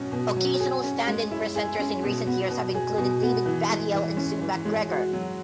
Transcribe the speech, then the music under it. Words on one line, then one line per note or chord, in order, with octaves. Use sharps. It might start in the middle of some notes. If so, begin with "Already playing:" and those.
Occasional stand-in presenters in recent years have included David Baddiel and Sue MacGregor.
Already playing: B2 F#3 C#4
B2
F#3
G#4
C#4
G#3
E4
G#4
C#4
B2
B3
B2
G#4
B2
B3
E3
G#3
E3
C#4
E3
G#3
F#4
F#3